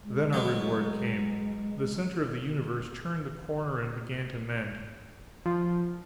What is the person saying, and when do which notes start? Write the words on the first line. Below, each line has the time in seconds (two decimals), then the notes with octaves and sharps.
Then our reward came: the center of the universe turned the corner and began to mend.
0.04 G#3
0.33 B2 F#3
5.46 F3